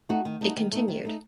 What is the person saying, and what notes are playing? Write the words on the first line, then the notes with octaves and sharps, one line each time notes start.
It continued.
A3 D#4 F#4
D#3
A3 D#4 F#4
D#3
A3 D#4
D#3
A3 D#4